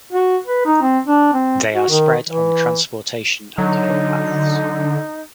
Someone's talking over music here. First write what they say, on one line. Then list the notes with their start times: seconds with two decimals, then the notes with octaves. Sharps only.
They are spread on transportation and footpaths.
0.13 F#4
0.46 B4
0.65 D#4
0.82 C4
1.07 D4
1.34 C4
1.74 F#4
1.90 D#3
2.30 E3
3.58 D3 F#3 D#4